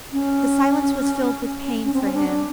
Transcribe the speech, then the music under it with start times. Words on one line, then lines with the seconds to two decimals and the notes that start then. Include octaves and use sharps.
The silence was filled with pain for him.
0.13 C#4
1.85 C#4
1.94 C4
2.03 C#4
2.14 D4